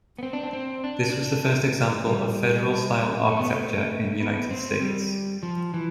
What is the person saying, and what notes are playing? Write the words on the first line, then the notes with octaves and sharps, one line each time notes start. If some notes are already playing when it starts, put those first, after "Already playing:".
This was the first example of Federal Style architecture in the United States.
B3
C4
D4
C4
C4
D4
D4
G3
A3
B3
A3
B3
C4
G3
F3
E3